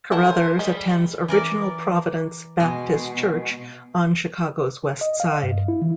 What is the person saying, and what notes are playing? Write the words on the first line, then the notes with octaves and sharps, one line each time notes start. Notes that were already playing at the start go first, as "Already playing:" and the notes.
Carothers attends Original Providence Baptist Church on Chicago's west side.
E4 F#4 A4 A#4 C5 G#5
G3 G#3 G#4
E3 A#4 D5
B2 G#3
D#5
F5
G2
E4
E3